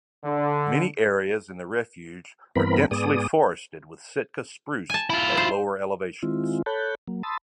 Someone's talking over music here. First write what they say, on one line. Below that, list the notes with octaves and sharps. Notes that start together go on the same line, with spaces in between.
Many areas in the refuge are densely forested with Sitka spruce at lower elevations.
D3
G2 E3 B3 C4 A#4 B5
G#2 B3 G#4 D5 D#6
G#5 A5
E4 F4
C5
D#3 G#3 C4 E4 F4
A4 C#5 A5 B5 F#6 G6
F#3 A#3
A5 B5 C6 D#6 E6 A6